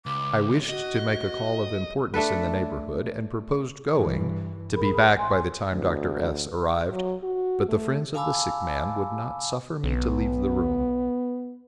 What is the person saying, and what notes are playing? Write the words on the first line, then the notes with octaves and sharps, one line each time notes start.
I wished to make a call of importance in the neighbourhood, and proposed going, to be back by the time Dr. S-- arrived; but the friends of the sick man would not suffer me to leave the room.
C#2 D6
F#4 D#5
A3 D4 A4 B4
G2 E3
A1 G#4 A#4 B5
G#5 C6
D2
F#3
F#4
A3
F5 G#5 A5 B5 D6 E6
B1 B3